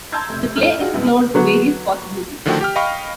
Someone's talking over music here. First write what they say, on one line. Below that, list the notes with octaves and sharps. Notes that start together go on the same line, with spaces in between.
The play explores various possibilities.
A5 A#5 C6 E6 G6 G#6
F1 C3
F2 A2 A3 A4 F6 F#7
D4 D#4 F4 F#4 G#4
C2 F#2 G#3 B3
D3 F#3 B3 F#4
D3 D#3 F3 A3 F#4 G5
G4 G5 F6
D#5 F5 G5 B5 C#6